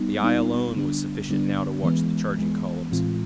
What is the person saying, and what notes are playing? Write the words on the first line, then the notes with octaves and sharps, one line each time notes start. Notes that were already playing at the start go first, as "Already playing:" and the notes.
The eye alone was sufficient now to watch the charging columns.
Already playing: G3 B3 D#4
G3 B3 D#4
D3 G3 B3 D4
D3 G3 B3 D4
E3 G#3 B3
E3 G#3 B3
A2 E3 G#3 C4 F4